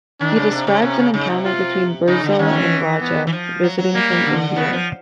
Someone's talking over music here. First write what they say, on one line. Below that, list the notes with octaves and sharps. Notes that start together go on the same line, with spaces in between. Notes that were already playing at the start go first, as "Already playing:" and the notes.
He describes an encounter between Burzoe and a Raja visiting from India.
D#3 D4
C#3
C3
C#3
C3 C#4
C#3
C#3 D#4
C3
F4
C#3 D#4
D3
D#3 C#4
E3
B3
E3
F3
F#3
F#3
G3 A#3
G3
D3
C#3 B3
F3